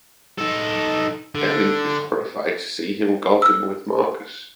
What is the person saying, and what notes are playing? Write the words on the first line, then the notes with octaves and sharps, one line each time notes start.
Ellie is horrified to see him golfing with Marcus.
D#4 A4
D3
E6 F6